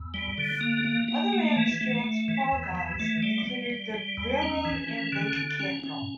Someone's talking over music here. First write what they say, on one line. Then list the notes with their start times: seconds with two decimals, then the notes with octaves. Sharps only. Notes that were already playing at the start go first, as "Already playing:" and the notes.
Other abstract 'fall guys' included the railroad and bank capital.
Already playing: E2
0.14 G3
0.38 D3
0.61 A#3
0.85 A#3
1.08 A#3
1.33 A3
1.56 E3
1.81 A3
2.04 A3
2.28 E3
2.52 E2
2.75 E3
2.99 A3
3.23 G3
3.47 G3
3.70 G3
3.94 G3
4.17 E2
4.42 C#4
4.65 E3
4.88 C#4
5.12 D3
5.36 D3
5.60 C#4
5.84 C#4